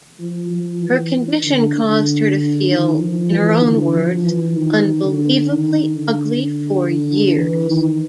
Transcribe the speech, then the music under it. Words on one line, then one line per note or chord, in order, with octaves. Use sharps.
Her condition caused her to feel, in her own words, "unbelievably ugly for years".
F3
F3
E3
D3
D3
D#3
F3
E3
D3
F3
E3
D#3
D3
D#3
D3
E3
D#3